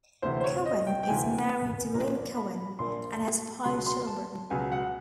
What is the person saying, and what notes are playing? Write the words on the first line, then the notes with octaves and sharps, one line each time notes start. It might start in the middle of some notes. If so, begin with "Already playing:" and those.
Cohen is married to Lynn Cohen and has five children.
D2 C3 E3 C5
C5
C#5
D#5
G5
G5
D2 C3 E3 G#5
A#1 A#2 F3 A#3 A#5
B5
A#1 A#2 F3 A#3 C6
C#2 B2 F#3 B3 C6
C6
A5
C#2 B2 F#3 B3 G#5
F#5